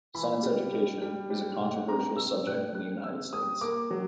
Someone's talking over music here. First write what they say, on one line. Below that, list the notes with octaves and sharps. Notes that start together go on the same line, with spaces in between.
Science education is a controversial subject in the United States.
E3 B5
G3
G3
G3
G3
A2
C4 A#5
C4 E6
A2 F#6
G3 F#6
C4 E6
G3 D#6
A#3 D6
F#3